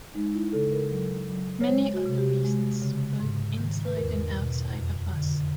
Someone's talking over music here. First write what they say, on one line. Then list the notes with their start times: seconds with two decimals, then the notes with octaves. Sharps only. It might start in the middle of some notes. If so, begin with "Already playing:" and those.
Many other reasons both inside and outside of us.
0.15 G#3 D#4
0.35 E4
0.53 C#3 A4
0.72 A#4
0.91 F#3
1.30 F#3
1.61 C#5
1.67 G#3 C5
1.94 F#4
2.06 C3
2.18 G4
2.45 G#3
2.82 C#3
3.20 G#2
3.58 D#3
3.85 B4
3.97 E2 A#4
4.35 B2
4.73 F2
5.11 D3